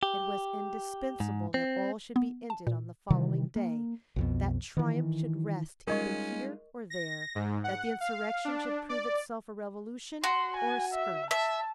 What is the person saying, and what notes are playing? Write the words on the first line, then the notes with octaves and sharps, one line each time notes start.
It was indispensable that all should be ended on the following day, that triumph should rest either here or there, that the insurrection should prove itself a revolution or a skirmish.
G4
G#2
C4
B3
A5
A#2
C3 D#3 E3 G3
A#3
B1 F2 B2
D#3 E3
G3 G#3 C#4 D#4 F4 A#4 D#5 C#6
A#6
G#2
F#5
F5
D4
D5
F#4 C6
G#5
E5
E5 A5